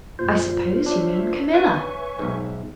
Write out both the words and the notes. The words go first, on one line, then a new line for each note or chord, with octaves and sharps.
"I suppose you mean Camilla?"
F#2 A#2 F4 C5
D4 C#5 E5
B4 G#5 C#6
B1 G#2